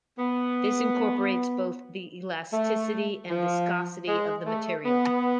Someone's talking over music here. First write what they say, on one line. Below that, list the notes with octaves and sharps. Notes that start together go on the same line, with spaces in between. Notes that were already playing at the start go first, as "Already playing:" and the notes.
This incorporates both the elasticity and viscosity of the material.
B3
A3
F3
G#3
A3
B3